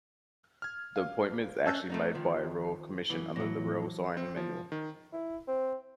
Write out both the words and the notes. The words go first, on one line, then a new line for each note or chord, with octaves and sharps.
The appointment is actually made by a Royal Commission under the royal sign-manual.
F6 G#6
F5
C#4 A5 E6 F#6 G6
A3 A#3 D#4
D#3 F3
F#2 E3
A2 E3 F#3 A#6
C4
F3
D#3
E4
C4